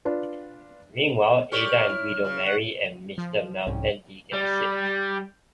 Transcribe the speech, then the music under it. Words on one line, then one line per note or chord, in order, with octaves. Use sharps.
Meanwhile, Ada and Guido marry and Mr. Malfenti gets sick.
D4 F4 B4
G4 C#5 D5 F6
E4
C#3
F#5
F3
C2 G#2 C4 C#4
G3